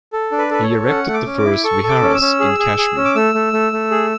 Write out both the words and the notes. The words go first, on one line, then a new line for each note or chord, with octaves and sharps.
He erected the first viharas in Kashmir.
A4
D4
B4
A4 B4
C#5
A4
C#4 F#5
A3
D6
C#4
D6
E4
A4 C#6
A4
D6
C#4
E6
C#4
G#4
G#4
G#4
C#4
D6
A3 E6
A3
A3
A3
G#4